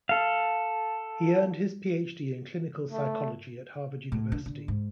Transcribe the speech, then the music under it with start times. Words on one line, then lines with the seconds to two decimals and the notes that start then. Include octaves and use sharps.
He earned his Ph.D. in clinical psychology at Harvard University.
0.09 A4 F5
2.91 A3
4.12 A2
4.32 D3
4.46 D3
4.68 G#2